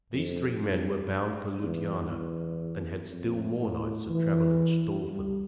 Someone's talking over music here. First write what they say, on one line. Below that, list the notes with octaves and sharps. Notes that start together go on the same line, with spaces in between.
These three men were bound for Ludhiana and had still more nights of travel in store for them.
F2
G2
E2
E2
F2
A2
E3
G3